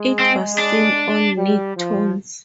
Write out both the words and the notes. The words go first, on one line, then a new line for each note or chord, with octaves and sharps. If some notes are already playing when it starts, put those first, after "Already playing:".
It was seen on Nicktoons.
Already playing: G#3
C4
D4
G3
F3